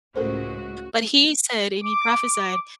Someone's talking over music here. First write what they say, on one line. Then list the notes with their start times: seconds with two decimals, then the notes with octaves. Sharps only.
but he said, and he prophesied
0.16 C#2 A2 F#4 A4 A#4 C5
1.81 D6